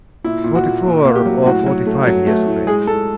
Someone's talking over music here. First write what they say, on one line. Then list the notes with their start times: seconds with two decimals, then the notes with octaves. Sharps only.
"Forty-four or forty-five years of age."
0.25 A#2 E4
0.44 A#2
0.55 F#4
0.65 A#2
0.85 A#2
1.05 A#3
1.15 G4
1.26 F#3
1.46 A2 F#4
1.66 F#3
1.87 A3
2.07 F#3
2.27 A3
2.47 A2
2.67 G#3 G#4
2.87 G#3 A4